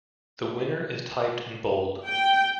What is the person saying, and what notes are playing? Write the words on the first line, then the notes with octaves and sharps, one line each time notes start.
The Winner is typed in bold.
G5